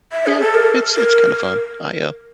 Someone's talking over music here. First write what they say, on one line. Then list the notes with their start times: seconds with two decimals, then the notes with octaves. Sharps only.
Yeah. It's it's kinda fun. I, uh
0.12 E5
0.26 G#4
0.41 A4
0.54 A#4
0.96 A#4